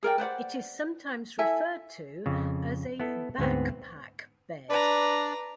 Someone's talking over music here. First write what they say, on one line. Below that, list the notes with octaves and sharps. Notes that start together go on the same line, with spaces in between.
It is sometimes referred to as a "backpack bed".
G#4 A#4 D5 G5
B4 C5 D5 F#5
E4 A4 E5 G#5
F2 C#3
B3 E4 A4
D2 G#2 B3 C4
D4 B4 D5 A#5